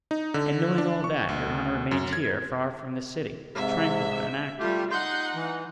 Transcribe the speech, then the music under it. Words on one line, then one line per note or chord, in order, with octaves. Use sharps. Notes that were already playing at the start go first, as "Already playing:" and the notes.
"And knowing all that, your honor remained here, far from the city, tranquil and inactive."
D#4
D3
D4
C#6
D2
F#2
G#6
G#2 C3 E5
G3 A3 F4 G4
D#4 F#5 C6 G6
E3